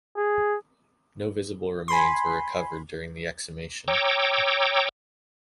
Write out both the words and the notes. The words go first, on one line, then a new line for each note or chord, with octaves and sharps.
No visible remains were recovered during the exhumation.
G#4
G#5 B5 C6
C#5 G5 A#5 D6 E6